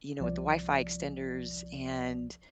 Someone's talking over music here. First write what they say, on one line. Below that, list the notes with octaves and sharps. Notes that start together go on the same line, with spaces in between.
you know, with the Wi-Fi extenders, and,
C2 F3 D5